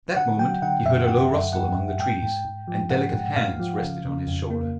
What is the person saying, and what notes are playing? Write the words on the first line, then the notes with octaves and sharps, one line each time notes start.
At that moment he heard a low rustle among the trees, and delicate hands rested on his shoulder.
D3 F#5
F#3 G5
D3 F#5
F#2 E5
D3 F#5
F#2
F#2 F#5
F#2
G#2 G5
G#2
G#2
F3
G#2 F#5
G#2
G#2 F5
F3
C#3
C#3
F2
A#3